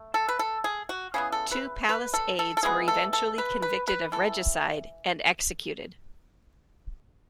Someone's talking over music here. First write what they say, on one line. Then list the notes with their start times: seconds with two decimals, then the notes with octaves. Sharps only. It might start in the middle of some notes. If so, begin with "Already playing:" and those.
Two palace aides were eventually convicted of regicide and executed.
Already playing: A3
0.14 A4
0.28 B4
0.39 A4
0.64 G#4
0.89 F#4
1.14 C#3 E3 B3 G#4
1.32 A4
1.51 B4
1.89 B4
2.14 A4
2.39 A4
2.57 A4
2.63 E3 G#3 B3 G#4
2.88 A4
3.13 A4
3.38 B4
3.62 B4
3.88 B4
4.12 E3 A4